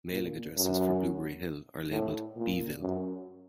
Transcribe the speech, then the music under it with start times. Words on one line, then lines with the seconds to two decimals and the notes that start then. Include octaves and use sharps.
Mailing addresses for Blueberry Hill are labeled "Beeville".
0.11 A#2
0.56 F#2
1.91 A2
2.36 A#2
2.81 F#2